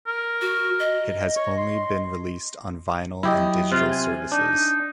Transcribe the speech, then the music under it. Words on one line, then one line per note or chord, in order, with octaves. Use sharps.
It has only been released on vinyl and digital services.
A#4
F#4
D#5
C#5
C6
F#3 E4 G4 D#5
C3 F4 F#6
G#5
D4 D#4